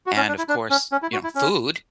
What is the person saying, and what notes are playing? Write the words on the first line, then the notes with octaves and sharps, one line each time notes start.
and, of course, you know, food
F#4
C#4
D4
E4
D4
C#4
C#4
E4
F#4
E4
C#4